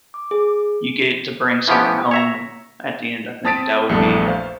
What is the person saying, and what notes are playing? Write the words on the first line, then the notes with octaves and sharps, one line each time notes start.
you get to bring something home at the end, I think that would be
D6
G#4
E3 F3 B3 C#4 G4
C#5 E5 A#5
C4 A5 D#6 A6 B6 D7
A#1 E2 G2 A3 A4
C5 F5